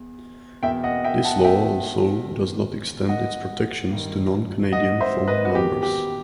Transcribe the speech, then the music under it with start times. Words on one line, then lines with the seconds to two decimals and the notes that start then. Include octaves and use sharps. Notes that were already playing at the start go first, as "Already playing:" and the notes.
This law also does not extend its protections to non-Canadian phone numbers.
Already playing: E2
0.63 E2 B2 E5 G5
0.84 D#5 F#5
1.04 E5 G5
1.24 F#5 A5
1.45 E5 G5
2.28 E2 D#3
3.09 D#5 F#5
3.91 G2 D#3
4.72 D#5 F#5
5.00 C5 E5
5.28 B4 D#5
5.45 F#4
5.55 E2 D#3 G4
5.83 G4